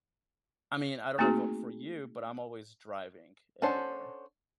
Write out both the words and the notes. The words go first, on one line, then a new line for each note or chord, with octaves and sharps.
I mean, I don't know v for you, but I'm always driving everywhere.
A3 A#3 C4 D#4 F#4 G#4
C#4 D4 A4 C5 F#5